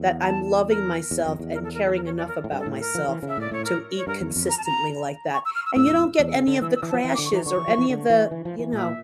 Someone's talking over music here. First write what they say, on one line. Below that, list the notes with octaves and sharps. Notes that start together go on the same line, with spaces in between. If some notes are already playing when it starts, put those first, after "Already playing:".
that I'm loving myself and caring enough about myself to eat consistently like that and you don't get any of the crashes or any of the you know,
Already playing: E2
A5
A#4
E2
F2
E2
A#4
A4
A#4
A4
A#4
C#5
D5
A#4
A2
G2
A4
A2
A#4
F3
E3
C#3
E5
A2 D5
A2 C#5
A#4
C#5
G2 A#4
E2
F2
A#5
A5
A#5
C#6
E6
F6
E6
A2 E6
E2
F2
E2
C#3
D3
E3 E6
E6
E3
A5
F3
E3 G5
D6
D3
C#6
E3 A#5
D3 C#6
E3
F3
E3
D3
E3
E3
F3
E3
A#2 E5